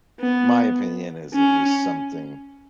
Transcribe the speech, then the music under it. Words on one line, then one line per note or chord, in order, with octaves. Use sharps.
My opinion is it was something
B3
C#4